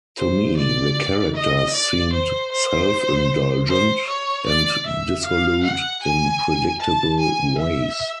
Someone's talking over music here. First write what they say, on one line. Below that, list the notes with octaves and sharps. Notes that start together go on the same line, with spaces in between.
To me, the characters seemed self-indulgent and dissolute in predictable ways.
C5
D5
D#5
D5
C5
C5
C5
C#5
D5
E5
F5
F#5
G#5
A5
G#5
E5